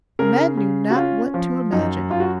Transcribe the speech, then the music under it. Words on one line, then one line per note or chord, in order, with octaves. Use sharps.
Men knew not what to imagine.
C#3 A#4
C#3
F#4
C#4 F4
F3
F#2 D#4
F#2 F4
F#4